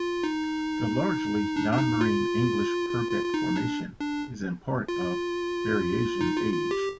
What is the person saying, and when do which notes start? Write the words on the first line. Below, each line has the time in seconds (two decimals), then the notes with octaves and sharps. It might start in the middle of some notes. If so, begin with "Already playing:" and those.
The largely non-marine English Purbeck Formation is in part of Berriasian age.
Already playing: F4
0.24 D#4
1.56 D4
1.72 D4
1.78 D#4
2.01 F4
2.89 F4
3.11 F4
3.26 F4
3.34 D#4
3.56 D4
4.00 D4
4.88 F4
6.21 D#4
6.37 F4
6.54 F4
6.71 G4